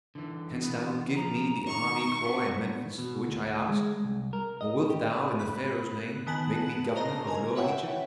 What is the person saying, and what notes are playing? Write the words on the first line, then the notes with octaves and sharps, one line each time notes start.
Canst thou give me the army corps in Memphis, for which I asked, or wilt thou, in the pharaoh's name, make me governor of Lower Egypt?
D3 E3
B3
F3 A#5
D#3 C#6
B3 D4
B2
D2
G#3
C2
A#4
D#5
G4
D5
B5 F#6
D#3 B3 G#5 A5 F#6 F#7
A#4 C5 D#5 A5 A#5
A#4 G#5
B4 C#5 E5 F#5 G5